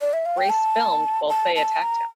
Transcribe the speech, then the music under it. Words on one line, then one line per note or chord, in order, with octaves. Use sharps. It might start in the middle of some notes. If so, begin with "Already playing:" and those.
Grace filmed while Faye attacked him.
D5
E5
F5
G5
A5
A5
A5
A#5